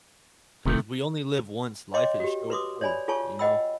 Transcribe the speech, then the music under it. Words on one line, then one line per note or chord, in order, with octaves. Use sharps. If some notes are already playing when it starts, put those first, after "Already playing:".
'Cause we only live once. Life is short too. You know?
E1 C3 D#3 A3
C#5 D#5 G5 C6 D6
F#4 G4
B4 C6 D6 D#6
C#5 D5 G#5 B5
F4 G#4 C#5 G#5 A5 C#6
D#5 F#5 G5 B5 E6